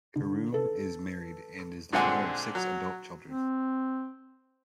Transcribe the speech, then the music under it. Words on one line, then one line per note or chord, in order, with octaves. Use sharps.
Karume is married and is the father of six adult children.
D3
A4 B4
A#2 D3 G#3 C4 F#5 G#5
F#3
C4